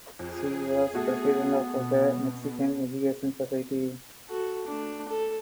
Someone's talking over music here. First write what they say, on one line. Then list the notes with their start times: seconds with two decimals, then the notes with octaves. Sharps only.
She was president of the Mexican Education Society.
0.19 F2 G#4
0.94 A3 B3 F#4 A4
1.73 B2
4.29 F#4 A4
4.67 A3 D4
5.09 A4